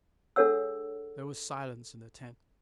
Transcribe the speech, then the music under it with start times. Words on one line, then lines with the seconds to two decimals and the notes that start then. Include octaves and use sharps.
There was silence in the tent.
0.36 D4 G#4 A4 C#5 F#5 E6